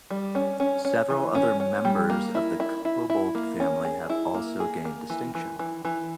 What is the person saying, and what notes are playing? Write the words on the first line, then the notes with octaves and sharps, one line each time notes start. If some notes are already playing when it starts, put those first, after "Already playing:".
Several other members of the Cobbold family have also gained distinction.
G3
C#4
C#4
C#4
E3
C#4
C#4
G3
A#3
E4
E4
E4
E4
A#3
C#4
G#4
E4
A#3
G#4
A#3
E3
E3
E3
E3